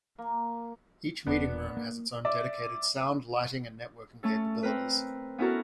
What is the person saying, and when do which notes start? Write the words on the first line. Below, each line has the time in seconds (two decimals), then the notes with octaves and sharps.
Each meeting room has its own dedicated sound, lighting and networking capabilities.
0.18 A#3
1.27 E1 B3 D4
1.77 A#3
2.25 D5 E5
4.23 A3 C#4 A4
4.63 C4 A#4 B4
5.38 B3 C#4 E4 F#4 A4 A#4